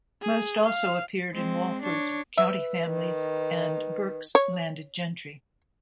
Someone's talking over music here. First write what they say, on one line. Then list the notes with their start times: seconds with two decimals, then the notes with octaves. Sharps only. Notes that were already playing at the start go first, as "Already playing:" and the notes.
Most also appeared in Walford's "County Families" and Burke's "Landed Gentry".
0.22 G#4
0.65 F5
1.33 G#3 C4
1.82 D4 C#5
2.38 B4 E5
2.85 D#3
4.35 C#5